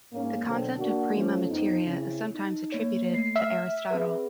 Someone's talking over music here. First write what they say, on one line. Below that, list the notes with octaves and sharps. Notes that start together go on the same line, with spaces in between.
The concept of prima materia is sometimes attributed to Aristotle.
G#2 A#3 C#4
B2 D3 F#3 C4 A4
A#3 D4 F#4
F3 A3 C#4
F2 B3 C4 D#4
C#3 C4 C#4 E4
D#4
A#3 C#5
A3 C7
E5 F6
C4 G#4 B4